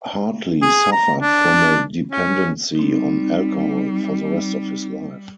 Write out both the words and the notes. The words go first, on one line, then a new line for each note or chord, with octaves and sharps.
Hartley suffered from a dependency on alcohol for the rest of his life.
G#4
A#5
D4
C#4
G3 C4 D#4